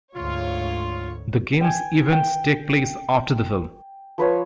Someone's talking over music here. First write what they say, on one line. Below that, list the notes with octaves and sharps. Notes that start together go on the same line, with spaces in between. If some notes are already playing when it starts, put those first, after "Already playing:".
The game's events take place after the film.
D2 G#2 F4 C#5
G5 G#5
G5
F3 B4 C#5 C#6